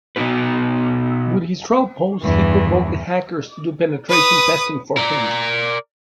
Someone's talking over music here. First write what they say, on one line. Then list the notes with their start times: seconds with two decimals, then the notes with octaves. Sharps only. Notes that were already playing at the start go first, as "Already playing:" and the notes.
With his troll post he provoked the hackers to do penetration testing for him.
0.16 B2 B3 C4 D#4 F#4 B4
2.22 E2 G2 E3
4.09 B4 D#6
4.97 A#4 D5